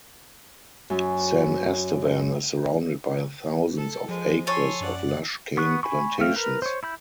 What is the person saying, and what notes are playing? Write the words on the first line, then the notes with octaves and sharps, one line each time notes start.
San Estevan is surrounded by thousands of acres of lush cane plantations.
F#2
A4
F3 G#3
A4 C#5 G#5 C6
F#2 D5 F#5
B3 C#6 F#6
G#5 B5 C#6
A3 C4 F5
A#4 B4
C5 C#5
E4 B5 G6